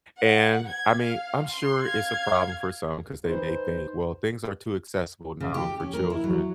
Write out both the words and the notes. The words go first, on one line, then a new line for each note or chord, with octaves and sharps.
And, I mean, I'm sure it's a problem for some 'cause they may think, "Well, things are too accessible now for children,"
F#5
G#6
F5
C6
F5 G#6
D#4 B4 C5
C#3
G4
C#4
A#4
E4
F#3